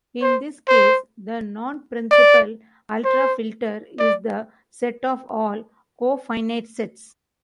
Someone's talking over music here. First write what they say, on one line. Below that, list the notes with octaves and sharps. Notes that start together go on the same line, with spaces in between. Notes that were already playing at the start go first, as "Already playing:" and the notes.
In this case, the non-principal ultrafilter is the set of all cofinite sets.
C5
C5
D5
C5
D5